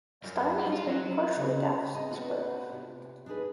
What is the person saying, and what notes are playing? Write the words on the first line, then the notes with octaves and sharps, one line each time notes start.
Stine has been partially deaf since birth.
F#2
G3
F4
F#3
C#3
D#5
A3 B3 C4 D4 F4 F#4
C3
D4 D#4 G4 G#4 B4